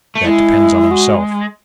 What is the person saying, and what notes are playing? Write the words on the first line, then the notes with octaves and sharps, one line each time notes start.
'That depends on himself.
A3
G#3 E4
F#4